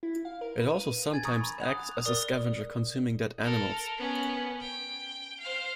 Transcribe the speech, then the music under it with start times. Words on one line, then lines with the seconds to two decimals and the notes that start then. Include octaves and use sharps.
It also sometimes acts as a scavenger consuming dead animals.
0.03 E4
0.25 F5
0.41 A#4
0.59 B4
0.72 D#7
1.12 G#5 G#6 A6
1.25 A#5 C#6 D#6
1.41 B5
1.61 F#5 D#6 F#6 F7
2.05 A#4 D5 D#6
3.42 A4 A#4
3.98 B3 C#4
4.61 G5
5.41 C5 F5